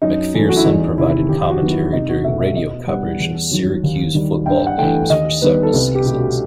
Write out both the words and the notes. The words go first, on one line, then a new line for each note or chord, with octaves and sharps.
MacPherson provided commentary during radio coverage of Syracuse football games for several seasons.
F#2 D#4
E3 A3
F#4
E4
E2 D#4
C3 D#3 E4
D#2 G4
F#4
D#3 F#3 B3
E4
C2 D#4
F#4
B2 A3 E5
E5
B2 D#5
G3 B3 F#5
E2
D#3 F#3
D#2
D#3 G3
G2 G5
F#5
E3 A3 G5
D#2 D#5
D#3 G3 B3 B4
A4
C2 B4
G4
B2 A3 G4
F#4